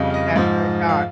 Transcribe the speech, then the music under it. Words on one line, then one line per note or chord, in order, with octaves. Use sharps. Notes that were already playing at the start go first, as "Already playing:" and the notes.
Th that's what I thought.
Already playing: F2 C#3 G3 D#5 F5
F5
D#5
G#2 F3
F5